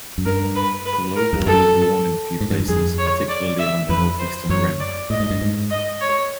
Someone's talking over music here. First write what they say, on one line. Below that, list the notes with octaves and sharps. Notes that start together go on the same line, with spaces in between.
The low wall is worn in a few places, particularly along the northeastern rim.
F#2
G2 A#4
B4
B4
A#4
E2
F2
F#2 A4
G#2
G2
F#2
F2 G#4
C#5
D5
E5
F2 B4
C5
F#2 C#5
D5
A2 D#5
G#2
G2
G#2
D#5
C#5